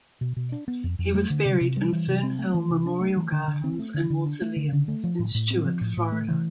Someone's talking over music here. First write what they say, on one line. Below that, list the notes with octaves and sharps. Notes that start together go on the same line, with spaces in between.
He was buried in Fernhill Memorial Gardens and Mausoleum in Stuart, Florida.
B2
B2
D4
B3
F2
F2
A3
D3
C3
C3
G3
E3
C3
C4
A3
E3
C3
D4
A3
E3
D3
D3
C4
A3
D3
D3
D4
A3
D3
D3
A3
F3
A2
A2
C4
F3
A2
A2
A3
E3